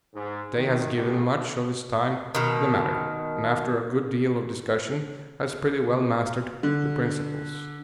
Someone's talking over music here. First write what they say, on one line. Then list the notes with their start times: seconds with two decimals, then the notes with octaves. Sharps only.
Day has given much of his time to the matter, and after a good deal of discussion has pretty well mastered the principles.
0.14 G#2
0.56 D#3
0.95 A1
2.35 B2 D#3
6.63 D3